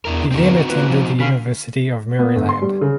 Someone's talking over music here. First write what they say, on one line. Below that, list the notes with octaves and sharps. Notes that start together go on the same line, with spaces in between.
He then attended the University of Maryland.
E2 D4 E4 A#4
E2 G2 D3 C4 D#4 F#4
A#3 F4 B4
F3
D3 C#4 F5 B5
B3
G1
C6
G3
C#3